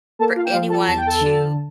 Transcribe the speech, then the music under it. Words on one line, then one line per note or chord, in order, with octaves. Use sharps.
for anyone to
A#3 A4 A5
F4 F5
G5
F3 F4 F5
A4 A5
E2 A5
G5
A4 A5
D3